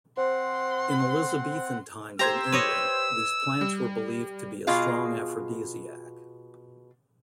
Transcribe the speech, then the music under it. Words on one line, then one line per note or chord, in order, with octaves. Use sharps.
In Elizabethan times in England, these plants were believed to be a strong aphrodisiac.
C4 C5 F#5 C6
G4 C5 A#5 E6 G#6
B4 C#5 D#5
G3
B2 F4 G#4 D#5 F5